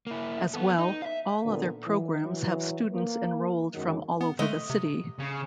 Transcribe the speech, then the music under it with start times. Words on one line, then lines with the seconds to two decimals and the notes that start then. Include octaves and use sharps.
As well, all other programs have students enrolled from all over the city.
0.07 A#3 E4
0.54 B3 A4
0.79 D#4
1.02 E5 F5
1.44 A#2 D3 D#3 B3
1.86 E3
2.23 E3 F#3
2.92 A#3
3.74 F#2 D#3 F#3 G#3
4.21 B3
4.39 D3 G#3 A3 D#5
4.70 C3
5.19 C#3